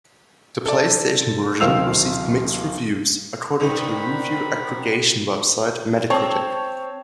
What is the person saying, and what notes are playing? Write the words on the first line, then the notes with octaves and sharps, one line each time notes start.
The PlayStation version received "mixed" reviews according to the review aggregation website Metacritic.
A4 D5
D1 D#3 C5 F5 E6 F7
G2 C4 D#4 A#4 F#5 B5
C4 C#5 A5 C#6